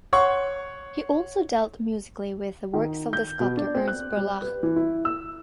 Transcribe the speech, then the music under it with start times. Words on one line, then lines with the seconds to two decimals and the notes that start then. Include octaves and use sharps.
He also dealt musically with the works of the sculptor Ernst Barlach.
0.13 C#5 F#5 C6 C#6
2.74 D#3
3.13 G6
3.40 B2
3.57 D4
3.75 C4
3.88 F#6
4.17 G3
4.42 B4
4.63 E3
4.76 E4
5.05 E6